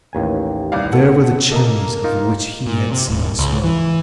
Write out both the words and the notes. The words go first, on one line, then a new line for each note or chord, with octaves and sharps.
There were the chimneys of which he had seen the smoke.
A1 D#2 G#5
C2 D5 F5
B3 A4 F#5
A#3 A4 D#5 A#5
D#4 F4 A#4
A#2
C3
D#1
C#2
E3